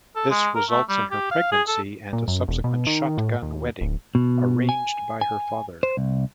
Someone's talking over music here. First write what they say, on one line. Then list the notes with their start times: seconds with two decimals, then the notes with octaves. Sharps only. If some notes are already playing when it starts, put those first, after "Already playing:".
This results in her pregnancy and a subsequent Shotgun wedding arranged by her father.
0.16 A4
0.31 G#3
0.55 A#4
0.70 A3
0.89 G3
1.11 G4
1.31 F5
1.52 G#4
1.68 A4
2.13 A#2
2.28 F#2
2.48 E1
2.64 B2
2.87 D#3
3.18 A2
3.42 D#2
3.81 D1
4.15 B2
4.69 G#5
5.21 G#5
5.83 C5
5.97 C2